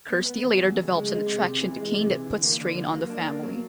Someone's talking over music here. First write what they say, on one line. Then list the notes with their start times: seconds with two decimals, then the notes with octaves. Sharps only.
Kirsty later develops an attraction to Kane that puts strain on the family.
0.10 B3
0.26 B3
0.43 E2
0.60 F#3
0.77 C#3
0.93 G#3
1.10 G#3
1.26 C3
1.43 C3
1.60 E3
1.76 G#3
1.94 C3
2.10 E3
2.26 D3
2.43 A#3
2.60 D3
2.76 F#3
2.93 A#3
3.10 D4
3.27 A#3
3.43 F#3